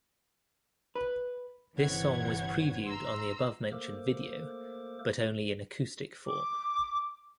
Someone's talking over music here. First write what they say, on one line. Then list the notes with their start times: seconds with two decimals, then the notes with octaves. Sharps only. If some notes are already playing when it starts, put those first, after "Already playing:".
This song was previewed on the above-mentioned video, but only in acoustic form.
0.95 B4
1.76 G1 C3 E3 C#5 F#5 G#6
2.88 A#5 C6 E6
3.72 A3 A#3 A4 A#4 C5 D6
6.26 D6